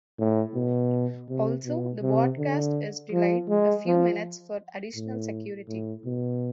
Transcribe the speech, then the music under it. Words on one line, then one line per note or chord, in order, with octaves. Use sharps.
Also, the broadcast is delayed a few minutes for additional security.
A2
B2
C3
B2
C3
D3
F3
G#3
F3
A2
A2
B2